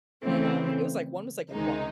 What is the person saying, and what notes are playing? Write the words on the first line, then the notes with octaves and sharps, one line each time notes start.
and, um, it was, like one was like a b
C#3 E3 A3 C4
C#2 C3 D#3 G#3 D#4